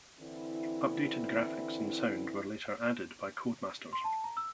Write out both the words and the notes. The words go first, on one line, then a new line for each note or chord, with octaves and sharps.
Updated graphics and sound were later added by Codemasters.
D3 E3 C4 E4
C6
A5
A#5
E6